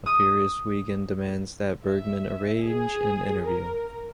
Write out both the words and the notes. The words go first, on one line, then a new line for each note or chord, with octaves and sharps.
A furious Wigand demands that Bergman arrange an interview.
D#6
E5
G#4
A#4